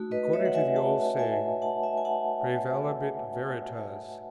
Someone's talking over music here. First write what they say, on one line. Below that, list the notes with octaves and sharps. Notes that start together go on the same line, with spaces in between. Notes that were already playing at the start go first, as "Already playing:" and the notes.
According to the old saying, Praevalebit Veritas.
Already playing: A3 D#4 F#4
B4 D#5
C#5 E5
F#5
E5 G#5
F#5 A5
E5 G#5
F#5 A5
E5 G#5
G#5
F#5 A5